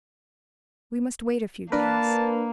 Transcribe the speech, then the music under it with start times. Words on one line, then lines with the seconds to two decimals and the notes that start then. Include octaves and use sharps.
We must wait a few days.
1.72 A#3 D4 A#4 B4 A5